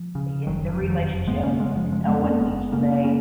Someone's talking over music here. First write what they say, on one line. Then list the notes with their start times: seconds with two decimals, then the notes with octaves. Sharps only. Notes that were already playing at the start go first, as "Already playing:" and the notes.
They end their relationship and Owen leaves the Bay.
Already playing: F3
0.15 C#3
0.47 F#1 D#3 F#3
0.69 F3
0.80 F2
0.90 D#3 F#3
1.12 F#1
1.27 G#3 B3
1.43 C#3 A#3 C#4
1.60 G#3 B3
1.76 F#1 F3 G#3
1.92 F3 G#3
2.08 F2 G#3 B3
2.24 A#3 C#4
2.40 F#1 G#3 B3
2.72 C#3 A#3 C#4
3.04 A#3 C#4